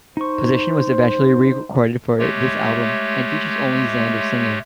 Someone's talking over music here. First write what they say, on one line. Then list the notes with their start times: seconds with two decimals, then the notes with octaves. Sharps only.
"Position" was eventually re-recorded for this album, and features only Zander singing.
0.17 D#4 C5 C#6
2.19 G#3 A3 G4 C#5